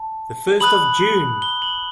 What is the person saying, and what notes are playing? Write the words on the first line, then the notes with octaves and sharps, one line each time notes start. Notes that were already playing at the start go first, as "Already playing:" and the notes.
The first of June!
Already playing: A5
B5 D#6 F#6 F#7
G7
F#7